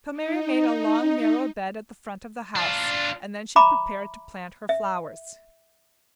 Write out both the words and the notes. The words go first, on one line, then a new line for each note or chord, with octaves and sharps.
So Mary made a long, narrow bed at the front of the house, and then she prepared to plant her flowers.
D#4
D4 F4
E5 A#5 B5 D6
E5